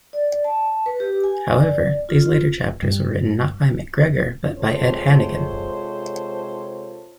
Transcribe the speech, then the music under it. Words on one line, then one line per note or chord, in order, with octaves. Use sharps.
However, these later chapters were written not by McGregor but by Ed Hannigan.
D5
A5
B4
G4
G#5
D5
F4
G2
C3 G#3 F4 A4 C5 C#5